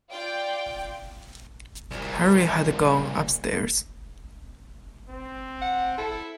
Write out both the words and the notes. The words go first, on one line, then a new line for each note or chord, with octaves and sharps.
Harry had gone upstairs.
F4 D5 G5
C2 A#2
C4
F#5
E4 A4